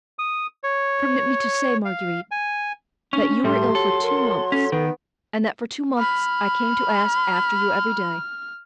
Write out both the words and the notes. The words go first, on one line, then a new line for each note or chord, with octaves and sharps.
"Permit me to say, Marguerite, that you were ill for two months, and that for two months I came to ask after you every day."
D#6
C#5
F5
G#5
C#4 D4
A2 G3 A3 G4 C6
F#3 A4
A#4
C#4 A4
D#3 B3
B5 F6